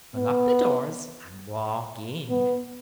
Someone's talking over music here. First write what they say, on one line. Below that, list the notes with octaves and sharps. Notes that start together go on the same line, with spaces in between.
Unlock the doors and walk in.
B3
B3